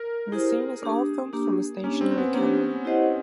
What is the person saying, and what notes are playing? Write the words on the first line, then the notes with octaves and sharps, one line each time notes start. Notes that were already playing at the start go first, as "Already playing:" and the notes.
The scene is all filmed from a stationary camera.
Already playing: A#4
E4 G4 G#4 C5
A#3 D4 G4
A#3 D4 G4
A#3 C#4 D4 G4
C4
C4
B3
A#3 C#4 D4 G4
E4 G4 C5 D#5 F#5